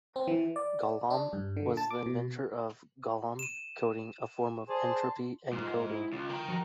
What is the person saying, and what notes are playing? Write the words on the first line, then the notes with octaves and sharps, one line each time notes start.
Golomb was the inventor of Golomb coding, a form of entropy encoding.
C4
E3
D5
D4
G2
D3
A5
D6
B2
D#7 E7
G#4 C5 D5 A5 C6
G#2 G#3 F4
E4
C#2 F4
A#4 G5
F3 F#4 A#5